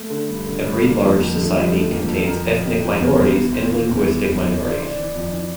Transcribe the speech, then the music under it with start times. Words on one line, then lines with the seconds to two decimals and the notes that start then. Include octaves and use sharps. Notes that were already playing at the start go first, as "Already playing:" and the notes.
Every large society contains ethnic minorities and linguistic minorities.
Already playing: A3
0.10 D3
0.28 G2
0.46 D3
0.64 G2
0.81 D3 A#3
1.00 F2
1.17 F2
1.35 D3 A3
1.54 F2 G3
1.71 D3 A3
1.90 F2 A#3
2.07 F2 A4
2.25 F2 A#4
2.44 F2
2.62 F2
2.80 F2
2.98 E2
3.16 E2
3.34 E2
3.53 E3 C5
3.70 E3
3.89 E2
4.07 E3
4.24 E2
4.42 E3
4.60 E3 D5
4.72 C5
4.78 E3 D5
4.96 E3
5.15 F2
5.33 E3